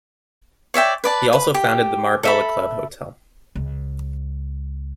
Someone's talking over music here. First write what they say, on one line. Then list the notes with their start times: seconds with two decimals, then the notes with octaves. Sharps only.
He also founded the Marbella Club Hotel.
0.74 C#5 D5 E5 G5
1.04 B4 D5 A5
1.33 B4
1.54 G4
2.23 A4 E5 B5
3.55 C#2